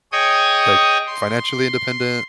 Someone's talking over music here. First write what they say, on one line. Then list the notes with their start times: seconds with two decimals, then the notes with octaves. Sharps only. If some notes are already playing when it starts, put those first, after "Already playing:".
like, financially independent.
0.12 G#4 C#5 D#5 G5 C#6 D#6
1.07 C6